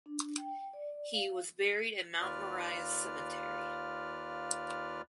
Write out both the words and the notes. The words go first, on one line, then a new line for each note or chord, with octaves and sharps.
He was buried in Mount Moriah Cemetery.
D4
G5
D5
F5
D#2 F4 B4 D5 F6